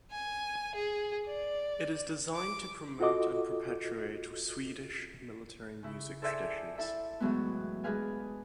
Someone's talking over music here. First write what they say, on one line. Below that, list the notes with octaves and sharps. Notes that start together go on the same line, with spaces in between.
It is designed to promote and perpetuate Swedish military music traditions.
G#5
G#4
D5
D6
F4 F#4 A4 D#5 D6
C#3 E4
G#4 A4 C5 D5 E5 G#5
E4 A4 E5
A2 E3 F#3 G#3 B3
G#3 D4 G#4 B4 F5 G#5